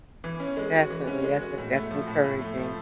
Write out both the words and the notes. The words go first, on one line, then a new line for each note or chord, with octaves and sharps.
Definitely. That's en that's encouraging.
E3
C#4
G#3
F#4
E3
C#4
G#3
F#4
A2
A3
F3
A2
A2
A3
F3